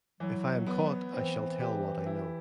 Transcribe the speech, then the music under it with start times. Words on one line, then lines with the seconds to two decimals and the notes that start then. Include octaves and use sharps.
If I am caught I shall tell what I know.
0.20 E3 F#3
0.67 B3
1.14 E3 C4
1.60 G4
2.06 E4